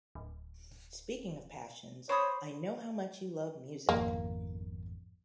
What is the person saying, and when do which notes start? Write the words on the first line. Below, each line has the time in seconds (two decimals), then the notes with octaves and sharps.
Speaking of passions, I know how much you love music.
0.15 D1
2.09 C5 C#5 B5 D#6
3.89 G#1 F2 A#3